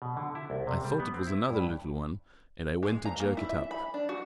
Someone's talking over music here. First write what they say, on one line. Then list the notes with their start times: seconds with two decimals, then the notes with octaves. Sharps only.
I thought it was another little one, and I went to jerk it up.
0.02 B2
0.17 D3
0.35 E4
0.50 C2
0.67 C3
0.84 G3
1.00 B3
1.14 C4
1.27 E4
1.50 G2
2.83 G#3
3.05 A#5
3.20 A#3
3.37 E4
3.49 E5
3.71 B5
3.94 D4
4.09 F#4